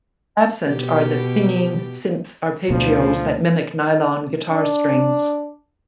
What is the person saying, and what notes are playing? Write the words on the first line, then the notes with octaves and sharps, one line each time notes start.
Absent are the pinging synth arpeggios that mimic nylon guitar strings.
B2 G4
D2 B2 F3
D4